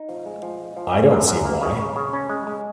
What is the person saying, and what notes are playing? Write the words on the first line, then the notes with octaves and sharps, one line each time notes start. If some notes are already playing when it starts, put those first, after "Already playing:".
I don't see why.
Already playing: D#4
F3
G#3
F3
G#3
F3
C#4
F#2
F#2
A#3
C#3
C#3
C#3
C#4
G#3
G#3